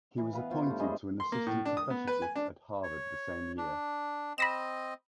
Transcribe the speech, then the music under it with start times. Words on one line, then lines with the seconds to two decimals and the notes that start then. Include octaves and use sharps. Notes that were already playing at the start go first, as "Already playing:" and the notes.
He was appointed to an assistant professorship at Harvard the same year.
0.18 E3
0.33 B3 B4 F5
0.51 F4 C5 C#5 F5
0.66 G2 A3
0.80 G2 G#3 G#4 C6
1.20 C6
1.32 A#3
1.46 A2
1.65 D4
1.77 D#6
1.90 B3
2.07 B4
2.22 G#5
2.36 D4
2.83 C#5
3.58 D4
4.38 C4 D#5 B5 A#6 E7